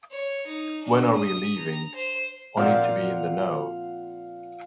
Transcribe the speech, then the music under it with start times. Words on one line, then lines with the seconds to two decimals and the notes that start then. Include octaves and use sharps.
When are we leaving? I need to be in the know!
0.11 C#5
0.47 D#4
0.84 D4
1.16 D#6
1.58 A#5
1.95 C5
2.57 A#2 F3 C4 F5 F#5